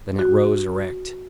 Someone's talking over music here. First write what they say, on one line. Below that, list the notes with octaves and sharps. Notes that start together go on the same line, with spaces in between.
Then it rose erect.
F#4